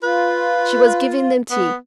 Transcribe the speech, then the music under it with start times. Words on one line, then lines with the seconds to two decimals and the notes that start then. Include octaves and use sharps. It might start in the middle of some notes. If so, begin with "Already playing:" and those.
She was giving them tea.
0.03 F4 B4
1.51 B3